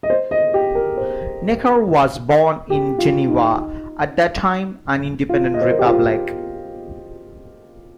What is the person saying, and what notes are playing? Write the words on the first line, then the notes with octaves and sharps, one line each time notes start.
Necker was born in Geneva, at that time an independent republic.
D#5
C5
D#5
G4
A#4
C5
G4
F4
D#4
F4
D#5
C5
A#4
G4
F4